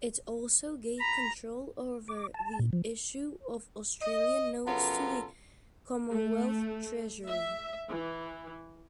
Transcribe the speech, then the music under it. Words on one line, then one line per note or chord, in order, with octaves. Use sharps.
It also gave control over the issue of Australian notes to the Commonwealth Treasury.
A#5 B5
D6
A5
A#2
F3
D#5
F#2 C#3 B3 F4 A4 A#5
A3
E5
E3